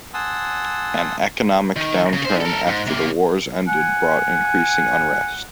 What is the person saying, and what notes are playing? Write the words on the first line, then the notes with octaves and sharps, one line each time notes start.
An economic downturn after the wars ended brought increasing unrest.
F#5 G#5 A5 C6 D#6 E6
D#3
C#3
D#4 C5
A4 A#4
G#2
C3 A#3
F#5 G#5